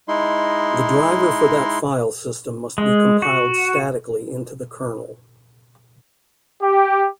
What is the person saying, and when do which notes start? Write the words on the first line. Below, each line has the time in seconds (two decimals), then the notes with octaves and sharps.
The driver for that file system must be compiled statically into the kernel.
0.08 G#3 D#4 E4 C6
2.78 G#3
3.22 F#4
6.61 G4